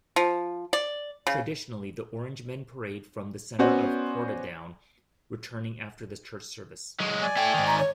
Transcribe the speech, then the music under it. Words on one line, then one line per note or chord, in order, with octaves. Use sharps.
Traditionally the Orangemen parade from the centre of Portadown, returning after the church service.
F3
D5
C#3
B3 C#4 F#4 C5 D5
F#3 G#3
D5 G#5
E4 A4 G5
G#2 D#3
A#5
C#5